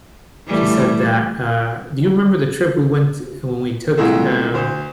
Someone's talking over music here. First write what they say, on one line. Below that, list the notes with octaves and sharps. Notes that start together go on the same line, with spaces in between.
She said that, uh, "Do you remember the trip we went when we took, uh,
E3 G3 A3
C2 A#2 G#3 A3 E4
D2 C5